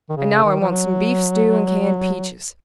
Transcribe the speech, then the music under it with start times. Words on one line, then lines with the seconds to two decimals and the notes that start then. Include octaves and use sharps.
And now I want some beef stew and canned peaches.
0.10 D#3
0.17 C#3
0.44 D#3
0.60 F3
0.70 F#3